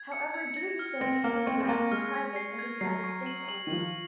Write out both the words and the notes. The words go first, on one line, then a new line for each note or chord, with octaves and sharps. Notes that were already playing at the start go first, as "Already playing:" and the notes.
However, doing so gave you the rank of private in the United States army.
Already playing: G#6
C#7
G#6
A#6
F6
C4 A#6
A#3 F6
C4 C#6
C4
A#3 C#6
G#3 F6
G#6
C7
G#6
F#3 C7
C#6
F#7
F#7
D#3
F3 F#7